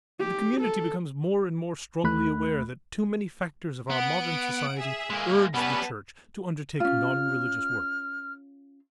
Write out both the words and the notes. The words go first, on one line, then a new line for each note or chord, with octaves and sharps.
The community becomes more and more strongly aware that too many factors of our modern society urge the church to undertake non-religious work.
G4
A4
D#2 A3 B5 F#6
B3 F#5 D7
G#4 E5
G#3 A#3
G3 B3 C#4 B4 A5
C#4 F4 F6